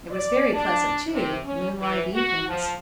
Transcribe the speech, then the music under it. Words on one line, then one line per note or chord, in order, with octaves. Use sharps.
It was very pleasant, too, moonlight evenings.
D5
D4
C3
C#4
E3
F#4
F3